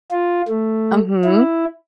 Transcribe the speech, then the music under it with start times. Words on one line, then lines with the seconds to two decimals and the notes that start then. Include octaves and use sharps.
Uh, hmm.
0.11 F4
0.48 A3
1.24 E4